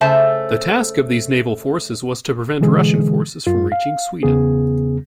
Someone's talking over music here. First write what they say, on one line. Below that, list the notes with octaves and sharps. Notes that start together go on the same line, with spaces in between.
The task of these naval forces was to prevent Russian forces from reaching Sweden.
C#3 A3 C5 E5 A5
B2 D3 E3 G#3 G#4
F#2 F4
F5
E2 C#3 B3 G#4